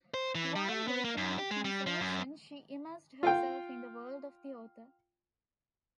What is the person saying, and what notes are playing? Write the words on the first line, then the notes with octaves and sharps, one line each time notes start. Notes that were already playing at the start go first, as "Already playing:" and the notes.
While working on a translation, she immersed herself in the world of the author.
C5
E3
G3
A3
B3
A#3
F#2
G4
G#3
G3
F3
F#2
F4 F5 G5